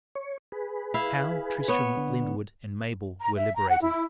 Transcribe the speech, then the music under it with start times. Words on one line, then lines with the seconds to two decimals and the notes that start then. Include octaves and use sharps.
How Tristram Lyndwood and Mabel were liberated.
0.15 C#5
0.52 G#4 B4
0.94 E4 F5
1.68 B3 C#5
1.97 D3
3.20 A#5
3.35 E5
3.55 A#5
3.67 F#5
3.82 E4